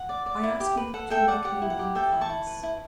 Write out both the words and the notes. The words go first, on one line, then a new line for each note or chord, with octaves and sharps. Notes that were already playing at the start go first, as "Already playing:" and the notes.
I ask you to make me one promise.
Already playing: F#5
D5
D5
E4
G4
B4
A4 F#5
A4 E5 G5
D5 F#5
G4 F#5
E4
F#5
G4
A4 E5 G5
E4
A5 C#6
E4
B4
E4